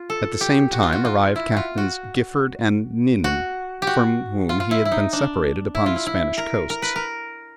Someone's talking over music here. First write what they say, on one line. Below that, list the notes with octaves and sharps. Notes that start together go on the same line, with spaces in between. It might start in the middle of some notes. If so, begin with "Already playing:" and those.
At the same time arrived Captains Gifford and Knynin, from whom he had been separated upon the Spanish Coasts.
Already playing: F4
A4
G4
F#4
F4
F#4
F4
E4
F4 F#4
F#4
F#4
G4
F#4
F4
F4
E4
E4
D#4
D4
E4
F4
E4
E4
A#4
A#4
B4
A#4